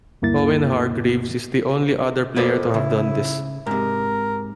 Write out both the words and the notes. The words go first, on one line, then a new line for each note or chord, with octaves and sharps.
Owen Hargreaves is the only other player to have done this.
D2 G2 A#3 E4 A6
F2 A#3 B4 D5
C#3 E4
G#2 C3 A#4